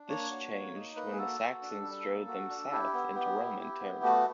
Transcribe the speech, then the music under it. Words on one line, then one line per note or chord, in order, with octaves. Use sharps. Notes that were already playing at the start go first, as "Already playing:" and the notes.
This changed when the Saxons drove them south into Roman territory.
Already playing: D4
A#3 C#5
F#4
A#3
D#4
A#3 B4
G#4
F#4 A4
F#4
D4
G3
A#3
F#4
D4
E4 G4
B3
B3
E4
E4
B3
A3 F#4